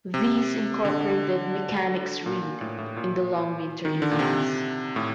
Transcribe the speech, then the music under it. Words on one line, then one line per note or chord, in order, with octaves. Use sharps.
These incorporated mechanics read, in the long winter evenings.
C3
D3
A#2
A#2
A2
A2
A#2
D#3
D3
A#2
C3
A2